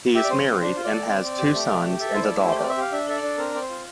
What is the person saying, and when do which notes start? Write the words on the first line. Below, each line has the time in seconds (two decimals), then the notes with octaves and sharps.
He is married and has two sons and a daughter.
0.14 G4 E5
0.24 D5
0.30 C4 C5
0.46 C4
0.61 D4 C5
0.76 F4
0.84 D5
0.92 A4
1.08 C4
1.23 C4
1.39 G4
1.53 A3
1.69 A3
1.85 G4
2.00 A4 E5
2.15 E4 C5
2.23 D5
2.31 A3
2.45 G4 C5
2.58 C4 D5
2.69 E5
2.77 G4 F5
2.92 D4 E5
3.08 A4 E5
3.16 D5
3.22 D4
3.38 C4 A#4
3.54 C4 D5
3.62 C5
3.70 F4